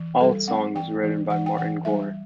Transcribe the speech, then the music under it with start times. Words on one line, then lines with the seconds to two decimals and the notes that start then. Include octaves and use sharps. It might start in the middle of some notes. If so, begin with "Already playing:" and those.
All songs written by Martin Gore.
Already playing: E3
0.20 G3 A4
0.48 C4 F#5
0.75 E3 G5
1.03 E3
1.30 E3 F#5
1.46 G5
1.58 E3 F#5
1.85 G3 E5